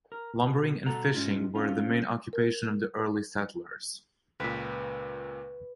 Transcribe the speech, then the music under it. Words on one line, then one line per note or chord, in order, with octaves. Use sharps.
Lumbering and fishing were the main occupations of the early settlers.
A#4
B2
B2 A4 F#5 A#5
G#2 G#3 C#4 F4
C4 C#4 F4
A#4
C#2 A#2 B4